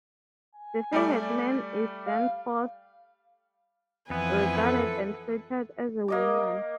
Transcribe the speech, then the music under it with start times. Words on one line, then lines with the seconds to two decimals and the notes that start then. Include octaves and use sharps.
The favored man is thenceforth regarded and treated as a woman.
0.55 G#5
0.93 G3 A3 D5
2.07 F5
4.10 F2 E3 F3 B3 B4 G#5
4.61 A4
6.08 A#3 D#5 D6